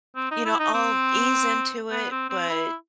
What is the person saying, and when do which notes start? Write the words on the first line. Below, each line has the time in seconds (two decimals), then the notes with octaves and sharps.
you know, I'll ease into it, but
0.16 C4
0.31 D#4
0.45 E4
0.59 D#4
0.74 C4
1.91 B3
2.11 C4
2.29 C4
2.50 E4